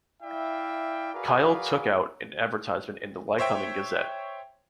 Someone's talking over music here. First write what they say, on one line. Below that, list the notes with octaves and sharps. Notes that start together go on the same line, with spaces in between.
Kyle took out an advertisement in the Lycoming Gazette.
E4 D5 E5 F5 G5
F#4 G#4 A#4 B4 D5 F5
C5 C#5 E5 G5